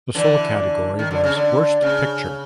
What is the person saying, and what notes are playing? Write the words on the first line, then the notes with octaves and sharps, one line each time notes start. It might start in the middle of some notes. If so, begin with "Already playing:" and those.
The sole category was Worst Picture.
D3 E3
D#3
D3
C#3
D3
C#3